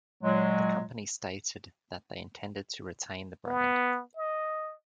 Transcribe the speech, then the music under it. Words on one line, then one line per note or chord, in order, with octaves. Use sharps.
The company stated that they intended to retain the brand.
A#2 F#3 G#3
B3
D#5